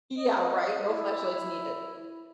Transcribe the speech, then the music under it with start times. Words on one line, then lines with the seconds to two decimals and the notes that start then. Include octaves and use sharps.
Yeah, right. No flashlights needed.
0.18 D#5
0.89 E4